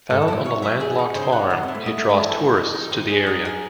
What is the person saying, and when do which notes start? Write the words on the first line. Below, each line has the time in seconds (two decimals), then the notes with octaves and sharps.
Found on a landlocked farm, it draws tourists to the area.
0.10 G#2 A4
0.22 F#2
0.28 A2 E4
0.45 C3 C#5
0.62 F#3 E5
0.80 E3 G#4
0.98 D#4
1.15 C#3 C5
1.33 F#5
1.50 D#3 C5
1.63 C4
1.68 E4
1.75 A3
1.86 A3 D#5
1.97 A3
2.04 E4
2.10 G#3
2.21 E3 A4
2.39 D#4
2.57 D#5
2.74 D#4
2.91 D#3 C5
3.10 G#4
3.27 F#3 D#5
3.45 G#4